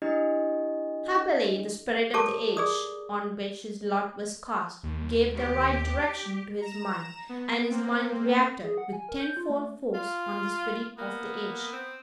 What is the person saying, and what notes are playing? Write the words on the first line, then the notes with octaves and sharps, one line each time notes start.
Happily the spirit of the age on which his lot was cast, gave the right direction to his mind; and his mind reacted with tenfold force on the spirit of the age.
D4 E4 G4 D#5
G4 A4 A#4 C#5 A5 D6
G#4 D5 D#6
D#2
G4
A#5 E7
B3
A#3 C4
G#4
F#5
G#5
A#4
G6
F4
A3
F4 F5
A#3 B3
C4